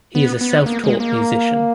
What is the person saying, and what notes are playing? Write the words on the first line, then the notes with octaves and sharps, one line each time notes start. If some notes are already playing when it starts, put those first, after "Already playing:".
He is a self-taught musician.
B3
B3
A#3
G#3
A#3